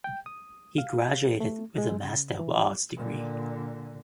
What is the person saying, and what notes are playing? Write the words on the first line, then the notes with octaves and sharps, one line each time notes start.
He graduated with a Master of Arts degree.
G5
D#6
F5
A3
G#3
C#3
E3
A#2 D3